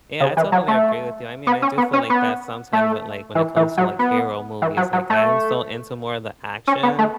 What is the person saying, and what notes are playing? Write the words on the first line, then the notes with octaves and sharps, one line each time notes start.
Yeah, I totally agree with you, I mean, I do feel like that sometimes with, like, when it comes to, like, hero movies, like, I'm so into more of the action,
C#3
E3
F#3
A3
B3
C#4
B3
C#4
B3
A3
E3
E3
F#3
B3
E3
F#3
F#3
A3
C#4
B3
A3